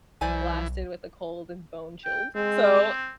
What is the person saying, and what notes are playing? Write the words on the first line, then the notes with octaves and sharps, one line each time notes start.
blasted with a cold and bone chilled? So
B1 E3 C5 D5 G#5
G5
G#3 C4